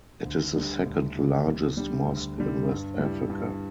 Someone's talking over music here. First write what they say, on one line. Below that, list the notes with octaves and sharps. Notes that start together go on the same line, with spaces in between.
It is the second largest mosque in West Africa.
D2
D3 G3
D2
D3 G3
D2
D3 G3
D2
D3 G3
G2
G3 E4
G2